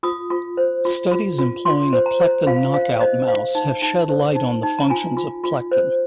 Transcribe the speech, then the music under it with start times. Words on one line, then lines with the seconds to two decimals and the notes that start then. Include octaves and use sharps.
Studies employing a plectin knockout mouse have shed light on the functions of plectin.
0.03 F4 D#6
0.30 F4
0.57 C5
0.85 F4
1.11 F4
1.38 F4
1.65 F4 C6
1.93 C5
2.06 A#5
2.20 C5
2.47 F4 F5
2.74 C5 F5
3.01 C5 D#5
3.27 C5 F5
3.55 D#4
3.82 D#4
4.09 C5
4.35 D#4
4.63 D#4
4.79 A#5
4.90 F4 G#5
5.17 F4
5.44 F4
5.72 C5